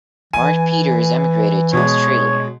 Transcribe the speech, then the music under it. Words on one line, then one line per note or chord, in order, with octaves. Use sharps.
Mark Peters emigrated to Australia.
E3 G#5 D#7
B2 G#3 C#5